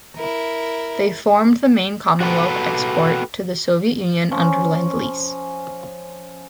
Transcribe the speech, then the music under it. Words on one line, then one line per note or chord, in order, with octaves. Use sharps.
They formed the main Commonwealth export to the Soviet Union under lend-lease.
E4 A#4
F#4 G4 A4 B4
F3 C#4